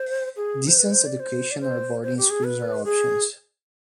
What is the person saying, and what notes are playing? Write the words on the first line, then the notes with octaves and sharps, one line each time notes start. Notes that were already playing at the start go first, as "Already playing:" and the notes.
Distance education or boarding schools are options.
Already playing: C5
G#4
C5
B4
C5
D5
C5
D5
C5
C5
G4
G#4
B4
G#4